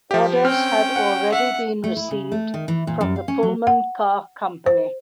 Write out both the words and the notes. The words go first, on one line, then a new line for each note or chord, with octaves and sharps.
Orders had already been received from the Pullman Car Company.
F3 G4
C4 C#4 G5 F6
F#5
E5 F#5
A3
E4
C#3
A3
D#3
E3
A#2
F#2
F5
C#4
F#3
F#5
C5